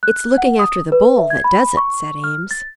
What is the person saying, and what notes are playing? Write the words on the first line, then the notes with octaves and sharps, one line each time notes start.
"It's looking after the bull that does it," said Eames.
F#6
F#5
D#6
B4
E5
G#6
B5
C#6
F6
A6